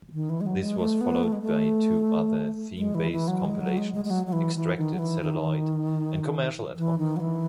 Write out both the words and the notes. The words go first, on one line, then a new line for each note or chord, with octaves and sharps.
This was followed by two other theme-based compilations, "Extracted Celluloid" and "Commercial Ad Hoc".
D#3
E3
G#3
F#3
G#3
A3
B3
A3
G#3
A3
G#3
E3
E3
F#3
G#3
F#3
G#3
G#3
G#3
F#3
F#3
E3
E3
D#3
F#3
E3
D#3
E3
D#3
F#3
E3